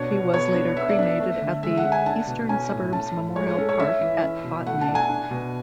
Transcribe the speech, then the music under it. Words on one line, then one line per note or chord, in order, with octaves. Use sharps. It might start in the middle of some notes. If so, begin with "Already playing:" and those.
He was later cremated at the Eastern Suburbs Memorial Park at Botany.
Already playing: B2 D4 C#5
B2
B3 C#5
D4
B3 E5
D5
D4 E5
A3
D3
G#3 E5
F#5
C#4
G#5
D4 A5
B2
C#4 G#5
A2
C#4 A5
A2
G#3 C#5
C#5
C#4 A4
C#5
C#4 E5
E3
C#4
B2
A3 F#5
A5
D4
G#5
D4
B2